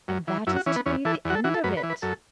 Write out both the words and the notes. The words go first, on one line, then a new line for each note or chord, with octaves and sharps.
"And that is to be the end of it."
F#2
E3
F#2 E4
F#4
E3 C#4
B3
E2 C#4
E3 A4
E2 F#4
A4
E3 F#4
A4
F#2 B4
B4
E3
B4
F#2 A4